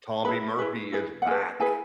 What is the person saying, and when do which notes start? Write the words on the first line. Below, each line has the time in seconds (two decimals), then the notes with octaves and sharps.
Tommy Murphy is back.
0.25 E4 G#4 B4 B5
0.59 E4 G#4 B4
0.92 E4 G#4 B4
1.22 F#5
1.26 E4 G#4 B4 G#5
1.60 E4 G#4 B4 G#5